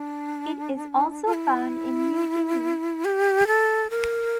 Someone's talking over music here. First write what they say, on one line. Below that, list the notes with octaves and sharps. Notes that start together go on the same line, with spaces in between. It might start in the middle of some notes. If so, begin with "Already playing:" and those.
It is also found in New Guinea.
Already playing: D4
F4
E4
G4
A4
A#4